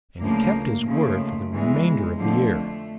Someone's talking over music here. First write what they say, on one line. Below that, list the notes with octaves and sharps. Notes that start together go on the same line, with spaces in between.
And he kept his word for the remainder of the year.
D2 C#3 F3 A#3
D#2 C#3 F3 A3
E2 C#3 E3 G#3
F2 D3 F3 A3